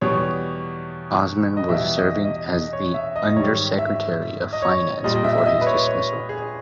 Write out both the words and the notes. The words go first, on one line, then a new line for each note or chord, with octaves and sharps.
Osman was serving as the undersecretary of finance before his dismissal.
E2 B2 G3 C#5
D#5
E2 B2 G3 E5
D#5
D#5
D#5
C#5
E5
D#5
G#2 D#3 G3 C#5
E5
D#5
C#5
A#2 G3 D#5
D#5
E5
E5
D#5
B4
C#5
C#5
G#4